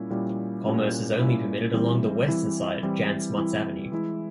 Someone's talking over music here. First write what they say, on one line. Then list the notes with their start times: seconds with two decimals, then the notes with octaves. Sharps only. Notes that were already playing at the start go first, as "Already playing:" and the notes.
Commerce is only permitted along the Western side of Jan Smuts Avenue.
Already playing: A#2 G3 C#4 E4
0.10 A#2 G3 C#4 E4
0.65 A#2 G3 C#4 E4
1.19 A#2 G3 C#4 E4
1.74 E3 G3 C4 E4
2.28 E3 G3 C4 E4
2.83 E3 G3 C4 E4
3.38 E3 G3 C4 E4
3.92 E3 G#3 E4